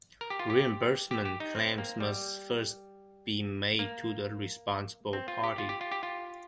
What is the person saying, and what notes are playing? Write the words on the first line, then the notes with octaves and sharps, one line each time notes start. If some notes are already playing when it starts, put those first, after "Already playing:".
Reimbursement claims must first be made to the responsible party.
A#4
G4
F4
G4
G4
G4
D#4
C4
A#3
G3
A#3
C4
F4
G4
F4
G4
F4
G4
F4